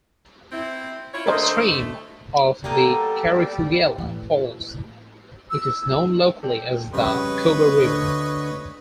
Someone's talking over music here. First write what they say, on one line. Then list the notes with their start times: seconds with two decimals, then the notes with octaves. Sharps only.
Upstream of the Karifiguela Falls it is known locally as the Koba River.
0.52 C4 E4
1.13 E4 F4 C#5
1.26 D3 A3 A#4 C5 D#5
2.64 B2 G3 A#3 A4 D#5
3.98 A2 E3
5.51 E6
6.43 A4 D5 G5
6.94 F2 C#3 G3 B4 C#5 D#5
7.81 D2 D3